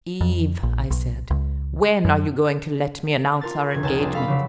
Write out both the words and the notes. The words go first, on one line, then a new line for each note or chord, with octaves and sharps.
"Eve," I said, "when are you going to let me announce our engagement?"
F2
A#1
B1
C#2
F#2
F4 A#4 A6
F1 G#6
C#2 D#4 G#5 A5
G3 G#3 A#3 D4 F4
A4 F5 B5 D6
C#3 F#3 B6